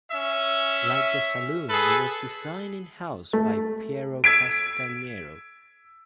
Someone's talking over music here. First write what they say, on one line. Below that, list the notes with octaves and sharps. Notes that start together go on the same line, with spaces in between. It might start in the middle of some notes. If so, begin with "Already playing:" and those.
Like the saloon it was designed in-house by Piero Castagnero.
C#4 E5
G#4 A4 B4
A3
E6 G#6 B6 D7